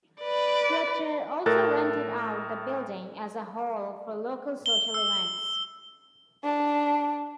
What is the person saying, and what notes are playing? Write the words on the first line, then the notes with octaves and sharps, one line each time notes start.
Fletcher also rented out the building as a hall for local social events.
B4 D5
A2 A4 A#4 F#6 A6
G7
E6
D4